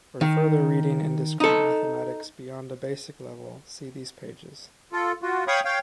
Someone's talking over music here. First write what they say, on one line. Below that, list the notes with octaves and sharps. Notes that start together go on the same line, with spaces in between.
For further reading in discrete mathematics, beyond a basic level, see these pages.
D#3
D#4 A4
F4 A4
F4 F#4
C#5 F5 G5 B5 C#6 D#6
C#5 F5 G5